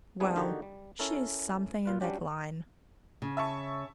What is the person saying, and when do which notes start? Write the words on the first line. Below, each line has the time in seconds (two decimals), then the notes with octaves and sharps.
Well, she's something in that line.
0.20 G3 B3 C4 D4 E4 G#4
0.36 D3 D#3 A#3 D#4 F#4 G4
0.62 G3
0.99 C#4 E4 A4 A#4
1.85 A#2 F4 B4
2.01 F#3 G3 C#4 D4 G4
3.22 C#3
3.37 E5 A5 C#6